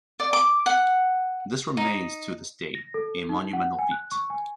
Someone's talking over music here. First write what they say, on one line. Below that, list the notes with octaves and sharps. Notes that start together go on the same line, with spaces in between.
This remains to this date, a monumental feat.
D5
D6
F#5
D#4
A#6
A4
D#4
F#5
G#5
F#6
C#6
G#5